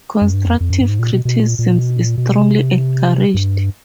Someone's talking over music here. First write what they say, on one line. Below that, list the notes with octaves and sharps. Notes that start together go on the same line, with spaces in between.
Constructive criticism is strongly encouraged.
F#2
G2
F2
F2
F#2
G2
G#2
A#2
B2
B2
A#2
A#2
B2
A#2
B2
C3
G2